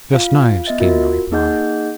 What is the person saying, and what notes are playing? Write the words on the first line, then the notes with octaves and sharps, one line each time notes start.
"Just knives," came the reply.
F4 F5
B3 D#5 E5 A6
F4 F#4 A#4
A#3 D#4 G#4 D#5 F#5 G6